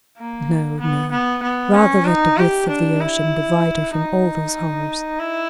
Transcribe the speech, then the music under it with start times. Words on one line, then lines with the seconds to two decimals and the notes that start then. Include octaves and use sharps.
No, no! rather let the width of the ocean divide her from all those horrors.
0.18 A#3
0.79 B3
1.11 B3
1.42 B3
1.74 C#4
2.05 D#4
2.37 G4
2.69 D4
3.01 E4
3.94 D#4
5.19 E4